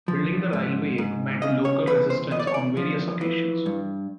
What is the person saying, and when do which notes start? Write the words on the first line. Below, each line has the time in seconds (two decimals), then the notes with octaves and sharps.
Building the railway met local resistance on various occasions.
0.08 F3
0.53 G#2
0.98 G#2
1.42 C#3 D#5
1.65 C#5
1.87 E2 B4
2.10 C5
2.31 E2 D#5
2.40 D5
2.47 C#5
2.54 D5
2.77 F3
3.21 E3
3.66 G2